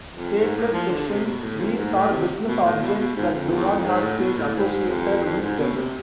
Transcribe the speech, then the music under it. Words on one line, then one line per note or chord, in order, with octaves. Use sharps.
Stateless Session Beans are business objects that do not have state associated with them.
F2
G#2
A2
F3
D3
C3
B2
A2
F2
G#2
A2
C3
B2
A2
B2
B2
G#2
F2
E2
F2
G#2
A2
B2
A2
G#2
F2
F2
G#2
B2
C3